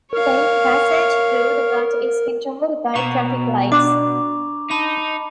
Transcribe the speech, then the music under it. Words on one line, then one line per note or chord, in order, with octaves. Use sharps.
Today passage through the gut is controlled by traffic lights.
A#4 C#5 F5
B2 A#5 C#6 F7
D4 D6
D#4 A5 B5 F7